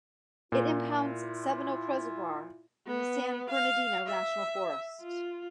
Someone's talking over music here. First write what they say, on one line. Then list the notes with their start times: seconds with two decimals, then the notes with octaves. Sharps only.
It impounds Seven Oaks Reservoir in the San Bernardino National Forest.
0.52 A#2 E4 F4
2.87 B3
3.50 F5
4.07 E5
5.02 F4